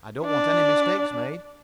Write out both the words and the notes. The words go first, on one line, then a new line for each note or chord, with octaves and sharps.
I don't want any mistake made.
D4 D5